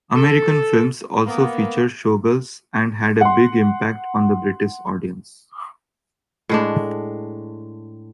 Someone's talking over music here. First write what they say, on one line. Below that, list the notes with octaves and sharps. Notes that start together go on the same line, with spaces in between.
American films also featured showgirls and had a big impact on the British audience.
A4
A#3 B3
F#5 C6
A2 G#3 D4